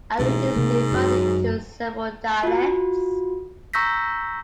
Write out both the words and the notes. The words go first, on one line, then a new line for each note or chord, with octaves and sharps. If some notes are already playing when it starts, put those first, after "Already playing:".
Aleut is divided into several dialects.
A1 G#2 B2 A#3
C3 A3 A#3
F#2 F#3
F4 F#4
A#5 C#6 E6 G6 A#6 B6